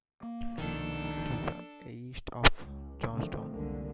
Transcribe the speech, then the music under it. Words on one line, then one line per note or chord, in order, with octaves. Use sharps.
It is east of Johnstown.
A#3
C2 B2 D#3 F3 A#3 D4 A4
C#2
D3 D#3 F3 A3 C4
F1 C2 D3 G#3 A#3